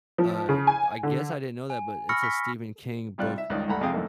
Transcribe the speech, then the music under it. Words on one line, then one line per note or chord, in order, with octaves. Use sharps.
Uh, I guess I didn't know that, but it's a Stephen King book,
F3
C#3
G#5
D3
G#5
B5 C#6 E6 F6 A#6 C#7
C#6 B6
C3 G3 F4 D5 F#6
E5
C#2 G2 D#3 D#4 D5 F#6
D2 G2 A3 F#5 A#5 B5
F2 C3 G#4 F5 G5 D#6
F#2 E3 A3 A#3 D#4